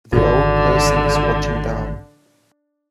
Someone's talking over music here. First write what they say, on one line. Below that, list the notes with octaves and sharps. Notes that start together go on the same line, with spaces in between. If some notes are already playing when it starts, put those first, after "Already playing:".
The old person is watching down.
D1 G#1 D3